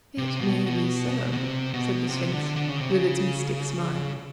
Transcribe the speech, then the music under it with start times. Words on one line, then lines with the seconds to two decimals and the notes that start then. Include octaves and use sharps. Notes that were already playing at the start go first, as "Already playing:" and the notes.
"It may be so," said the Sphinx, with its mystic smile.
0.18 C3
0.41 B2
0.66 B2
1.32 B2
1.37 C3
1.74 B2
2.09 C3
2.33 D3
2.56 D3
2.69 C#3
2.81 C3
2.92 C#3